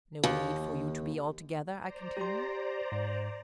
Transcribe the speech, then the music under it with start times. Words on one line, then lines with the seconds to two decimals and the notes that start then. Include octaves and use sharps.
"No need for you to be, altogether!" I continued.
0.24 D#2
1.78 C5 D5 A#5
2.17 G4 C6
2.92 G#2